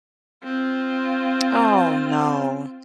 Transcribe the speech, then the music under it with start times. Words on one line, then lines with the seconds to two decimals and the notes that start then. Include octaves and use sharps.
Oh, no.
0.44 C4 F4